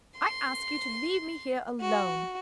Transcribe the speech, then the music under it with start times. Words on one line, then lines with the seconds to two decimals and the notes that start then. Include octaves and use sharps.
I ask you to leave me here alone.
0.18 C6
1.81 F#4